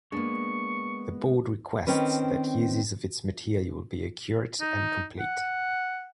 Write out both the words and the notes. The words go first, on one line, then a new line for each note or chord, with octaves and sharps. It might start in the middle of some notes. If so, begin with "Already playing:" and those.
The Board requests that uses of its material be accurate and complete.
G#3 A#3 B3 D4 C#6
D#3 C4 C#4 B4
D#4
F#5